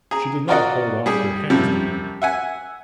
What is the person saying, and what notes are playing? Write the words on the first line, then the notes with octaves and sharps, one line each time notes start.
She did not hold out her hand to him.
G#4 A#5
F4 F#4 A#4 D5 D#5 F#5
G3 G#4
F#2 C3 F3 G3
E5 F#5 G#5